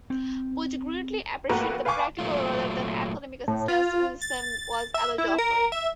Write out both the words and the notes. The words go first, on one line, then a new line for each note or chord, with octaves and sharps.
Bugge greatly appreciate the practical rather than academic assistance Willumsen was able to offer.
C4
A#1 A3 A#3 F#4 A#4 B4
B4 F5 G5 G#5 C#6 D6
A#2 F#3 A3 F4
A2
F4
A6
E5
E4
A#4
E5